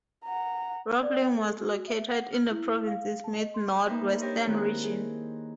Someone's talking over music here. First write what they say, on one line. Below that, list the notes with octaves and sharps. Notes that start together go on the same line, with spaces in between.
Roblin was located in the province's mid-northwestern region.
F#5 A#5
D5
G5
A4
F#4
E5
F#5
F6
E4
F5
A5
D#5
C6
A#3 D#4 B4 C5 E5
D4 G4 A#4 C5 C#5 D#5
D#3 C4 E4 F#6
G#4